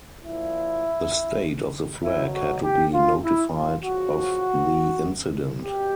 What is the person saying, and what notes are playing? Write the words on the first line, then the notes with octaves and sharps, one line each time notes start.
The state of the flag had to be notified of the incident.
A#2 F3 E4
B2 F#3 E4
F#4
G4
F4
E4
F4
C#3 F3 F#4
B2 G4